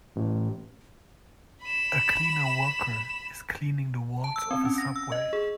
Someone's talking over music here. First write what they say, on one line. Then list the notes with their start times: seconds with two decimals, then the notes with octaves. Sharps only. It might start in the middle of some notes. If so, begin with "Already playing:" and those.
A cleaner worker is cleaning the walls of a subway.
0.16 A1
1.62 B5 E7
4.24 A5
4.36 E6
4.51 C4
4.65 C#4
4.78 A#6
4.96 E6
5.12 D#5
5.33 G#4